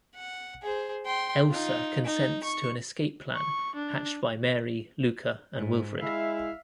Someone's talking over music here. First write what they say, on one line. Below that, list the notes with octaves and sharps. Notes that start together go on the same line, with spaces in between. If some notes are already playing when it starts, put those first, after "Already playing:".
Elsa consents to an escape plan hatched by Mary, Luca and Wilfred.
F#5
G#4 C5
G5 C6
D#4 F4
D#4
C#6
C#6
D4
G#2
G#3 E4 E5 F5